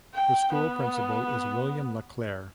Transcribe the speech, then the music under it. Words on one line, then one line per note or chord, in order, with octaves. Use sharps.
The school principal is William LaClair.
G5
B3